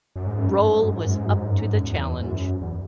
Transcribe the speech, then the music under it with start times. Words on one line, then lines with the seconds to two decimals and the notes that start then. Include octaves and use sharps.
Roll was up to the challenge.
0.16 F#2
0.27 G#2
0.38 F#2
0.48 G#2
0.59 F#2
0.71 G#2
0.81 F#2
0.93 G#2
1.03 F#2
1.14 G#2
1.25 F#2
1.36 G#2
1.47 F#2
1.58 G#2
1.70 F#2
1.84 E2
2.21 G#2
2.26 F#2
2.61 E2